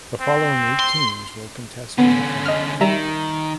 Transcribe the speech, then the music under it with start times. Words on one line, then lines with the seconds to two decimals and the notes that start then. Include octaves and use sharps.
The following eight teams will contest in the tournament.
0.21 C4
0.80 C6
1.98 D3 B3 C#4
2.46 D#5 F6
2.81 D#3 G3 E5 A#5